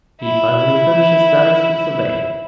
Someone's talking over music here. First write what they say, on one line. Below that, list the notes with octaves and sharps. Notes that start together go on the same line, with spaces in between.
He finally finished his studies in Surveying.
E4